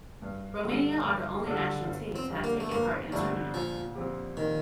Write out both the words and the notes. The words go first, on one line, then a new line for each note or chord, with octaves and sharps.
Romania are the only national team to have taken part in the tournament.
G2
D3 G3 D4 A4
G2
D3 G3 D4 A4
G1
C4
F2 D3 G3 D4
A#3
A3
G1 A#3
F2 D3 G3 A3 D4
A#2 F3
F3 C4 G4
A#2 D#3